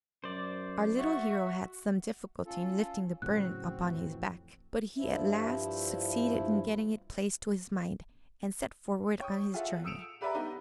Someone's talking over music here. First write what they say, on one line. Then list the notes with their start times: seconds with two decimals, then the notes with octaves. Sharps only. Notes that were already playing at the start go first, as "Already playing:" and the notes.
Our little hero had some difficulty in lifting the burden upon his back; but he at last succeeded in getting it placed to his mind, and set forward on his journey.
0.24 F#2 C5 D5
0.98 F#4 E5 C#6
2.45 C#4 F4 A4
3.22 A2 C#3 F#3 C4 F#4 F#6
3.80 F2 A2 E3
4.97 G2 F3 E4
9.19 C#5 G5 C#6 D#6
9.54 F4 G#4 A4 E5 F#5
9.84 D#6 E6 C#7 D7 E7 F7
10.21 G4 B4 D5 E5 G5 A#5
10.35 G3 B3 D#4